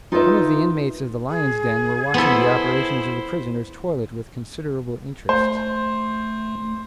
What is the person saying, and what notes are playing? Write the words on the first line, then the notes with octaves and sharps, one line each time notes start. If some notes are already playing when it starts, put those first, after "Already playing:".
Some of the inmates of the "Lions' Den" were watching the operations of the prisoner's toilet with considerable interest.
D#4 F4 G#4 A#4 B4 E5
G#4
B3 E4 A4 C5
A3 C5